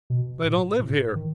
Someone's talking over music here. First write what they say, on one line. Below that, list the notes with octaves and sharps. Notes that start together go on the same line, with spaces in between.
They don't live here.
B2
A2
A2
D#3